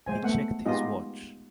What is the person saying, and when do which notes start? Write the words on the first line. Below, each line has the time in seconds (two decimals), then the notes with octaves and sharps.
He checked his watch.
0.06 G#3 C5 G#5
0.23 A3 B3 F#5
0.66 G#3 B3 D#4 F4 G4 D#5